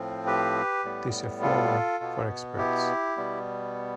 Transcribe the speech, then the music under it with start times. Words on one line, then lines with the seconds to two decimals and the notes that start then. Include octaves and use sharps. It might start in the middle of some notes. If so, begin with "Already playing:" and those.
This a forum for experts.
Already playing: A2 F3 C4
0.27 G4 B4
0.85 A2 G3 B3
1.42 F4 A4
2.00 B2 B3
2.58 E4 G4
3.17 B2 G3 B3